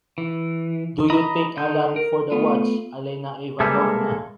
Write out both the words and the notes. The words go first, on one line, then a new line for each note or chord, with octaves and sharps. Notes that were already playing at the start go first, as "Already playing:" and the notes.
Do you take a lot for the watch, Alena Ivanovna?
E3
D#5 A#5 B5 D#6
D3 D#4 G6
A#4
A3 B3 F4
G3 G#3 A#3 G#4 A4 B4 C#5 E5